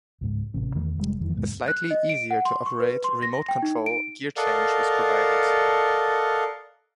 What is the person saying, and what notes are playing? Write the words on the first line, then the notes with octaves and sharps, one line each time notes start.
A slightly easier to operate remote-control gear-change was provided.
C#2 G#2
A1 C3 C#4
E2 D#3 E3 A3
F1 G3 G#3
F2 D#3 E3
D2 G2 B2 G#3
F#6
D#5
D7
F#5
C6
C#6
B4
C6
A#6
G5
D#4
D7
A4 A#4 D5 D#5 F5 F#5